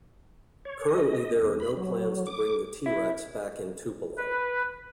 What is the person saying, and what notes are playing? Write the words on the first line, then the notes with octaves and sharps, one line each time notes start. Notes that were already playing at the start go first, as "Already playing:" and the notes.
Currently there are no plans to bring the T-Rex back in Tupelo.
C#5
D#5
E2
B5
F#3
D6
E4
B4